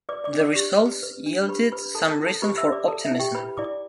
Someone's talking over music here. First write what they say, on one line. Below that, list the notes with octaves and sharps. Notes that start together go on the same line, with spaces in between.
The results yielded some reason for optimism.
B4 D5 D6
D5 D6
D4
D5 D6
G4
B4
B4
D4
G4 B4 B5
B4 B5
A4 A5
A4 A5
E4
A4 A5
G4 B4 B5
E5 E6
B4
D5 D6
A4 A5
E5
E4
G4 G5
B4 B5
E4 D5 D6